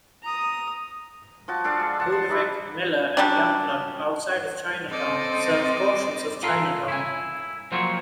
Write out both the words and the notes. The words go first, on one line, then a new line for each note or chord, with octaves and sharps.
Budewig, Miller, and Youngblood, outside of Chinatown, serve portions of Chinatown.
A#5 D#6
F3 F#4 A5
D4 A4 D5 F5
G#3
F#5 A5
C5
D#4 D5 E5 B5
F#3 G3 C#4 D4
C4 A4 C5 D5 D#5
F4 A4 A#4 C6
E4 G#5
F3 F#3 A#3 C4 C5 C#5